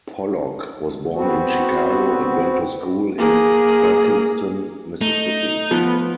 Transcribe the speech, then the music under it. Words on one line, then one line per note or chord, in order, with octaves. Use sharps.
Pollock was born in Chicago and went to school in Perkinston, Mississippi.
B3 C4 F#4
A#3 G#4
A3 D#4
F3 B3